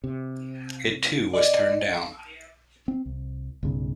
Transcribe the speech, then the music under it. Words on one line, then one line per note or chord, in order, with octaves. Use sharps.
It too was turned down.
C3
D5 D#5
C4
C2
B1 G2 C#3